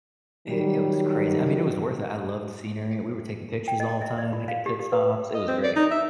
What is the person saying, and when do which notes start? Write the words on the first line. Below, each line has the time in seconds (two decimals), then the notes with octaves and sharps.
It it was craz I mean, it was worth it, I loved the scenery, we were taking pictures the whole time, making pit stops, it was great.
0.47 D#3 F#3 G3
3.68 G5
3.80 D#5
4.01 E5
4.18 D5
4.33 F4
4.48 F5
4.66 G4
4.79 G4
4.92 B4
5.35 D#5
5.48 C4
5.64 D5
5.76 D#4
5.91 E5